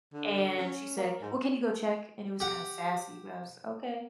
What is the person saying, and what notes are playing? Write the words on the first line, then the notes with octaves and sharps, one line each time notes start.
and she said, "Well, can you go check?" and it was kinda sassy, but I was, "Okay."
D3
C#4
A#3
G#2
G4 F#5